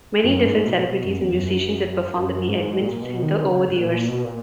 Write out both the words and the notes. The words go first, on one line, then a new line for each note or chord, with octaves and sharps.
Many different celebrities and musicians have performed at the Edmunds Center over the years.
F#2
G#2
B2
B2
F#2
E2
F#2
F#2
G#2
A#2
B2
D#3
C#3
G#2
A#2
B2
A#2